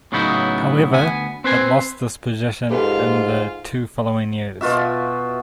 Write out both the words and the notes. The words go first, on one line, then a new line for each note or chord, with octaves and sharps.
However, it lost this position in the two following years.
A2 C#3 F#3 B3 D#4 E4
D2 B3 G#5
C4 B4 C5 G#5
G#2 F4 G4 A4 B4
B2 F4 F#4 E5